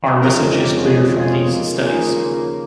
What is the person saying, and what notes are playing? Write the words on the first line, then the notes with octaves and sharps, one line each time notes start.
One message is clear from these studies.
F2 C#3 G#3 G4 A#4
G4 A#4
F4 G#4
F4 G#4
D#2 C#3 F3 A#3
F4 G#4